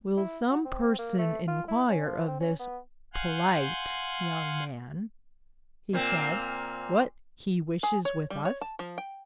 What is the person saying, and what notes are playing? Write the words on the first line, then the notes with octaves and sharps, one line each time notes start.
"Will some person inquire of this polite young man," he said, "what he wishes with us?"
E4
F#4
C4
A#3
A3
F4
E4
C#4
F3
C4
C#4
B3
F5 F#5 G#5 C6 F#6 G6
A#2 A#3 C4
G#4
C#5
G3
C#5
A5
F3
G5